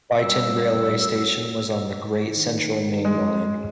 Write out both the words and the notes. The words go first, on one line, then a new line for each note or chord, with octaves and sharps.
Beighton railway station was on the Great Central Main Line.
F#2 G3 E6
D#3
G#3